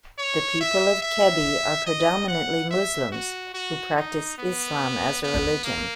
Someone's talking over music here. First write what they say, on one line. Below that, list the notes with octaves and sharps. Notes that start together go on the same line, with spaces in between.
The people of Kebbi are predominantly Muslims who practice Islam as a religion.
C#5
E5
E5
D#5
F#5
E5
F#4
F#4
D#4
B3
B3
A#3